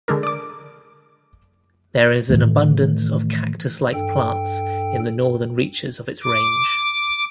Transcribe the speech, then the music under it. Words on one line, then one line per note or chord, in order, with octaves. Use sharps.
There is an abundance of cactus-like plants in the northern reaches of its range.
D3 G#3 D4 A#4
D5 D6
A2 D#3 E3 A3
G2 A4 G5
D6